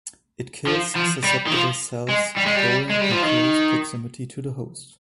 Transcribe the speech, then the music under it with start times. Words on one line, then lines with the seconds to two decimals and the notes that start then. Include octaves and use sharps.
It kills susceptible cells growing in close proximity to the host.
0.67 F3
0.96 F3
1.24 G3
1.47 D#3
1.52 F3
2.09 G#3
2.37 G3
2.46 G#3
2.55 G3
2.90 G#3
3.00 G3
3.11 F3
3.22 D#3